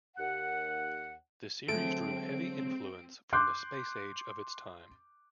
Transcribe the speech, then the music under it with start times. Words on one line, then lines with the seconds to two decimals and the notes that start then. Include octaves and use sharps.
The series drew heavy influence from the Space Age of its time.
0.17 D#2 F#5
1.68 D3 F#3 G#3 A3 C4 A4 D7
3.33 C6 D6 F#6 G6